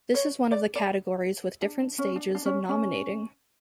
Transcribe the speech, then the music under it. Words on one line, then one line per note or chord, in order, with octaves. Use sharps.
This is one of the categories with different stages of nominating.
C#5
D5
D5
D4
C#4
D4
D4
C#4
C#4